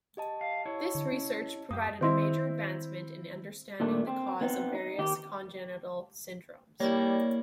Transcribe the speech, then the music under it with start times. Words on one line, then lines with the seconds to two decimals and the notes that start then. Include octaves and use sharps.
This research provided a major advancement in understanding the cause of various congenital syndromes.
0.17 G4 D#5 A5
0.41 F5
0.66 E4 C#5
0.95 D3
1.12 C#4
1.71 F#2 A#3 G4 D#6
2.01 D#3 C4 E4 C6
3.80 A#2 D#3 A3 D4
4.07 C4
4.41 B3 C4 D#4
4.75 D#4
4.98 D#3 G4
6.80 G3 A#3 E4 C#5 D5